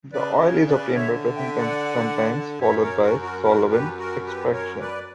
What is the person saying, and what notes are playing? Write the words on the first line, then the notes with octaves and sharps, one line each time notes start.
The oil is obtained by pressing, sometimes followed by solvent extraction.
C#3 B4 D5
A#4 C#5
B4 D5
D3 C#5 E5
E5 G5
D5 F#5
F#2 C#5 E5
A#4 C#5
F#4 A#4
F#4 A#4
F#4 A#4
G4 B4
F#4 A#4
G4 B4
A#4 C#5
B4 D5